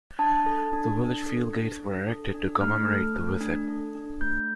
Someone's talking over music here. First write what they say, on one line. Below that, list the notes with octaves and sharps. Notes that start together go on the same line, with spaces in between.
The village field gates were erected to commemorate the visit.
D4 A5
A4
D4
D4
A4
D4
D4
A4
D4
A3 F6
A4
A3
D4
A4
D4
A3 G6